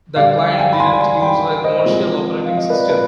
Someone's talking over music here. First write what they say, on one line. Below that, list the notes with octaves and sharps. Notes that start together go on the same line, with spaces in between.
The client didn't use a commercial operating system.
D3 G3 D5 F5
G5
F5 G#5
B5
G#5 C6
G#5 C6
G5 B5
C5 D#5
C3 F3 G#3
F5
D#5
B4 D5
B4